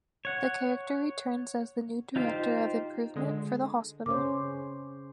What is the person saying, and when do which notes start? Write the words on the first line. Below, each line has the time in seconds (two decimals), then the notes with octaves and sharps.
The character returns as the new Director of Improvement for the hospital.
0.25 C#5 F#5
2.16 D#4 F4 G4 C5
3.16 D3 G#3
4.06 C#3 C#4 C5 D6